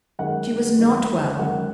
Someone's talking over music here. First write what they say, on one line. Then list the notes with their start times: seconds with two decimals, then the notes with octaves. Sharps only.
She was not well.
0.19 F#2 D#3 G#3 F#5
0.79 F#2 D#3 G#3
1.39 F#2 D#3 G#3 F#5